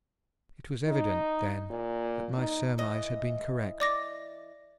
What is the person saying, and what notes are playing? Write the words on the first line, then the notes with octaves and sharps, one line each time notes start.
It was evident then that my surmise had been correct.
D#4
A#2
D#4
E3 D#5
D5 D6 A#6